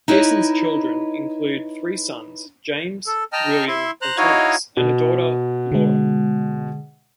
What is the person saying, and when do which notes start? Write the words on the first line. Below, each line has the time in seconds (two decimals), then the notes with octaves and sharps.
Pearson's children include three sons, James, William and Thomas, and a daughter, Laura.
0.08 D#4 E4 B4 C#5 D#5
3.07 A4
3.33 D#5 G5 A5 A#5 F6
3.68 E4 E5 C6
4.02 C5 A#5 F#6
4.17 D#4 E4 F#4 C#5 D#5 F5
4.77 B2
5.72 D3 G#3